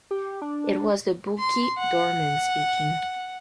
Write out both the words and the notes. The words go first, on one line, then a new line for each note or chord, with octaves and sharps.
It was the bulky doorman speaking.
G4
D4
C6
F#5